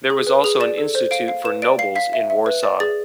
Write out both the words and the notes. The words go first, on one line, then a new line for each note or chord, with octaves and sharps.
There was also an "Institute for Nobles" in Warsaw.
G#4
B4
G#4 F7
D5 E7
A4
C5
F5 D7
F5
B4 E7
D5 D7
F5 C7
F5 B6
E5
E5
B4
D5
G#4 A6